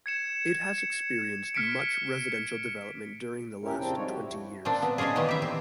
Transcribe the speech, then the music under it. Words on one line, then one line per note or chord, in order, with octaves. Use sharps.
It has experienced much residential development during the last twenty years.
G#6 C#7 E7
C#7
F6 B6 C#7 D7
D#2 A#2 C#4 E4 G4 A#4
F2 C#3 F3 C4 D4 G5
G3 G#3 D#4 F4 C#5
F#4 G4
F2 E4
A#2 F3 C4 D4
B3
G#3 C#4 D4 F4 G#4
A#2 D#3 E3 G3 A#3 B3
G4 E5
C4